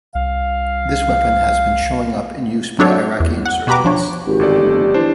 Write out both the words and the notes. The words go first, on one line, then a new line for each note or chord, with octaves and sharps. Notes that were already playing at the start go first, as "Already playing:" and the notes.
This weapon has been showing up in use by Iraqi insurgents.
C2 F5
F#3 C4 D4 F#4 A4 C#5
E2
F#5
B2 F#4 G4 B4 A#5 D6
F3 D4 C#5
G#1 G4
G1 A4 D5
F1
E3 D4 C5